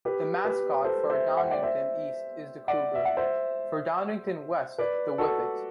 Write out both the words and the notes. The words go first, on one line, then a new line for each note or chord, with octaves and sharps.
The mascot for Downingtown East is the cougar, for Downingtown West, the whippet.
G4 B4
G4 B4
A4 C5
C5 E5
F#5
G5
D5 F#5
C5 E5
D5 F#5
E5
F#5
C5 E5
B4 D5
F#4 A4